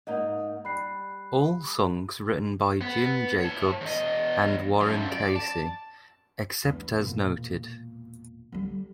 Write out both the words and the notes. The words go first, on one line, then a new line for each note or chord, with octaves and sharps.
All songs written by Jim Jacobs and Warren Casey, except as noted.
G#2 A#3 D#4 D#5 F#5
G3 B5 F#6 C7
B3
C#5 A5
E2 D#5
F#2 F3
D5
A5
E2 D4
E1 A#2
D3 G3